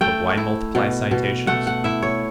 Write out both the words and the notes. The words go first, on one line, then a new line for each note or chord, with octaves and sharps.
But why multiply citations?
A3 G5
E4
B2
B2
A3 F#5
F#5
E4 E5
C#5